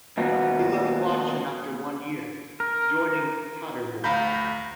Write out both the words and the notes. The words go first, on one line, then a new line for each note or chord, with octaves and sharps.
He left Bochum after one year, joining Paderborn.
A#2 D#3 F3 A#3 B3 F#4
A#4
D2 F5 A#5 B5 G6